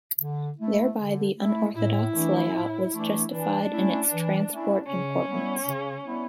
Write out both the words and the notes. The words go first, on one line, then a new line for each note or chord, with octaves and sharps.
Thereby the unorthodox layout was justified in its transport importance.
D3
A3 E4
D3
A3 E4
A2 E4
E3 A3 D4
A2
E3 A3 D4
E3 D4
A3 C#4 E4
E3
A3 C#4 E4
C#3 C#4
G3 B3 E4
C#3
G3 B3 E4